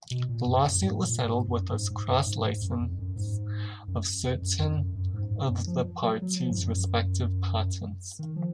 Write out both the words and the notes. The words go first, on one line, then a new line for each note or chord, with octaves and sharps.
The lawsuit was settled with a cross-license of certain of the parties' respective patents.
B2
A#2
F#2
F#2
G#2
A#2
G#2
F#2
G#2
G#2
F#2
G#2
G#2
F#2
F2
F#2
G#2
F#2
F2
F#2
F2
F#2
F#2
G#2
G#2
F#2
F3
F#3
F#3
F3
G#2
F#2
D#3
F3